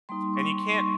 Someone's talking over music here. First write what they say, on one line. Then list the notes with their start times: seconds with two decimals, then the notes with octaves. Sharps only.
And you can't
0.09 G3 A#3 D#4 C6
0.34 C#6
0.58 C6
0.68 C#6
0.75 C6